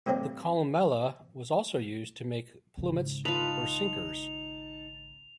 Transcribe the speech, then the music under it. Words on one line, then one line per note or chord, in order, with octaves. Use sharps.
The columella was also used to make plummets or sinkers.
A2 G3 A#3 C4 D4
G#1 C#3
D#4 F4 B4 A5 F7